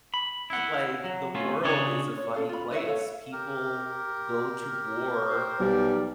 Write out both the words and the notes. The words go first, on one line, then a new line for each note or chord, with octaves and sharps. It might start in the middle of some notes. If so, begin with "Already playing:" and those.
like, the world is a funny place. People go to war
B5
E4 F#5
F#3
A3 C#4 F4
C#3 D4 G#4 C#5
C#5
C#4 A4 F5
F4 B5
E4 B4 C#5 E5
A4 C#5 F5
G4 A#4
C5
B1 G3